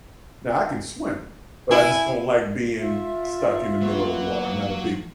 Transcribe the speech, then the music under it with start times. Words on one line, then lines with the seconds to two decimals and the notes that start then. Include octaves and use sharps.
Now, I can swim, but I just don't like being stuck in the middle of water. I'm not a big
1.71 E4 G#5
2.78 F4 E5
3.81 F#3 A#3 B3